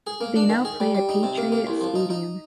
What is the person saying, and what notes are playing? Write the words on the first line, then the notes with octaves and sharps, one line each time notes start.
They now play at Patriot Stadium.
G#4
A#3
D4
D#3
G#4
G3
G3
D#4
C3
A#3
A#3
C2
F3
D#4
D#4